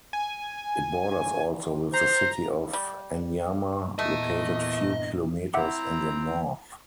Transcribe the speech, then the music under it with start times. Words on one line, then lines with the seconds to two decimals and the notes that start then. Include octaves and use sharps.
It borders also with the city of Anyama, located few kilometers in the north.
0.13 G#5
1.94 C5 A#5
2.73 G3
3.99 E2 A#2 A3 D#5
5.54 C4 E4 E5 F#5 A#5 D6